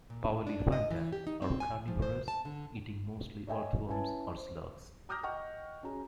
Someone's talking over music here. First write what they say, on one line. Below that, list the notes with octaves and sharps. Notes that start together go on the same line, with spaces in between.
"Powelliphanta" are carnivorous, eating mostly earthworms or slugs.
A#2
D4
D#5
E3
G4
D#4
C4
G#5
F3
C5
A5
D3
C#5 D#5 E5 G5 G#5
C#4 E4 B4 G#5 A5
C5
A#5 D6 D#6 F6 G6 A#6
D#5 F#5 G5 C#6 F6
C#4 F#4 G#4 A#5